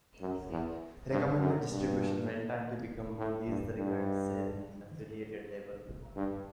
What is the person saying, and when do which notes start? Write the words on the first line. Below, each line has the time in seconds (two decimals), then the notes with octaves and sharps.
Recommended Distribution went on to become These Records, an affiliated label.
0.21 F#2
0.50 E2
1.10 G2
1.40 F#2
1.70 G2
3.18 A2
3.47 G2
3.78 G2
6.16 G2